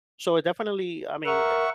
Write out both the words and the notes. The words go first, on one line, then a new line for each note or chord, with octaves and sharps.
So I definitely, I mean e e
A#4 E5 F#5 C#6